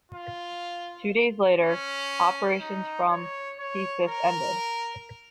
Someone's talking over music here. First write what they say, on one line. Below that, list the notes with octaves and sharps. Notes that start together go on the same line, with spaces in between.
Two days later, operations from "Theseus" ended.
F4
C#4
D#4
C#5
C#5
A#4